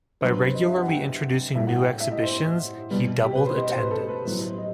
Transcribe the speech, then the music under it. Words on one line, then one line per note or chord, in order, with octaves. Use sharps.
By regularly introducing new exhibitions he doubled attendance.
G2 F#3 C5
B4
C5
D#5
E5
F#5
G5
A2 G3 E5
F#5
G5
E5
D#5
C5
B2 G3 B4
G4
B4
C5
D#5
C5
B4
A4
B4
A2 F#3 B4
C5
D#5